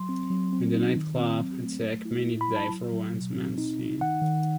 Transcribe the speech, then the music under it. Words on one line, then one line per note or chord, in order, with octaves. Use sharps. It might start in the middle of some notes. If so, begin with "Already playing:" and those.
In the nightclub attack, many die for one man’s sin.
Already playing: F#3 C6
C4
F#3
C4
D#4
D#3
C4
F#3
A3
A3
E4
E4
B5
F#3
A5
F#3
F#3
B2
C4
D#4
D#4
D#3 F#5
D#3